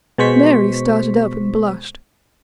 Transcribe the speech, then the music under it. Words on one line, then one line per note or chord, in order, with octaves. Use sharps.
Mary started up and blushed.
B2 G#3 C5 C#6 B6